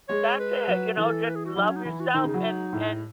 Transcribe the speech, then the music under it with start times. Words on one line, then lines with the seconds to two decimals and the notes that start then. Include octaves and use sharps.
that's it, you know, just love yourself and and
0.09 G#3 C#5
0.39 B4
0.68 F#3
0.97 E3 A4
1.27 B4
1.36 G#4
1.46 F#4
1.55 F#3 E4
1.62 D#4
1.69 C#4
1.76 D#4
1.85 E3 E4
2.00 F#4
2.07 E4
2.14 D#3 D#4
2.24 C#3
2.28 D#4
2.34 F#3 E4
2.47 D#4
2.73 A2